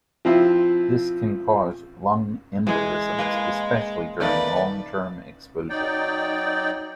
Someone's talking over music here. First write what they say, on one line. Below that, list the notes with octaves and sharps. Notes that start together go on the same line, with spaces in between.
This can cause lung embolisms, especially during long-term exposure.
F3 C4 E4 F4
E3 G#3 G#4
A#3 B4 F5
D#3 A3 A#3 B4 D5
F#3 D#4 D5 G5